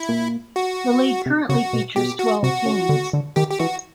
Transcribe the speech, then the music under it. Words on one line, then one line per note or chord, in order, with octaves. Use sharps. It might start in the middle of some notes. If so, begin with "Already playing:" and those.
The league currently features twelve teams.
Already playing: E4
A#2
F#4
C3
C#3 F#4
B2
B2 G4
F#4
C3 F#4
C#3
D3
D3
D#3 G4
G4
E3 F#4